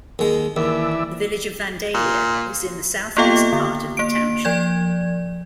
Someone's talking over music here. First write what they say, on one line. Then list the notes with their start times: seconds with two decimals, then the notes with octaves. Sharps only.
The village of Vandalia is in the southeast part of the township.
0.19 D#2 G#3
0.56 D#2 E3 D5 E5
1.94 A#2
3.17 A#3 B3 F4 A4 F5 G5
3.53 D3
3.97 A#3 D7
4.45 F3 D5 G#6